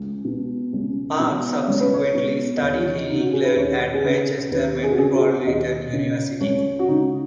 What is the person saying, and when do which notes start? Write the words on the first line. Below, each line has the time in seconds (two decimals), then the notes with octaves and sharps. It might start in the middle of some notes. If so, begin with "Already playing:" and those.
Parkes subsequently studied in England at Manchester Metropolitan University.
Already playing: C#2
0.25 B2
0.73 C#2
1.20 B2
1.68 C#2 C#5
1.80 B4
1.94 C#5
2.15 B2
2.57 D#5
2.62 D#2 C#5
3.08 C#3 D#4
3.20 F#4
3.33 G#4
3.44 B4
3.56 D#2 C#5
3.94 G#4
4.04 C#3 B4
4.51 D#2 B4
4.83 G#4
4.91 F#4
4.98 C#3 G#4
5.15 F#4
5.21 G#4
5.29 F#4
5.47 D#2 D#5
5.93 C#3
6.40 C#2 C#5
6.79 F#4
6.88 C#3 D#4